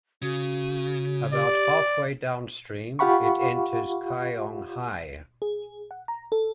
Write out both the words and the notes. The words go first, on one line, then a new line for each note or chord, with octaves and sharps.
About half way downstream, it enters Qionghai.
C#3 F#4
G4 D5
F4 G4 F5 F#5 B5 C#6
G#4
F#5
A#5
A4